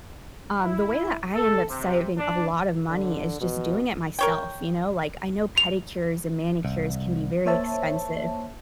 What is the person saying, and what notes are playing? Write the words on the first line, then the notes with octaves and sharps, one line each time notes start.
um, the way that I end up saving a lotta money is just doing it myself, you know, like, I know pedicures and manicures can be very expensive,
E4
A4
C3
D4
D3
B2
A#4 C#5 G5
F7
C2
A#3 C5 C#5 E5 A5